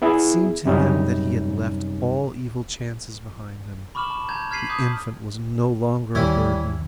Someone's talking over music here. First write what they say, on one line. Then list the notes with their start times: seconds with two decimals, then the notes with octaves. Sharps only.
It seemed to him that he had left all evil chances behind him. The infant was no longer a burden.
0.02 B3 E4 G#4
0.65 F#2 C3 G3 C#4 D#4
3.95 B5 C#6 D6 F6 E7 F#7
4.10 A5
4.29 A5 A#5 G6 G#6
4.51 F6 G#6 B6 C7 D#7 F#7
4.69 A5 D6 D#6 G6
6.15 D#2 E3 G3 C#4 E4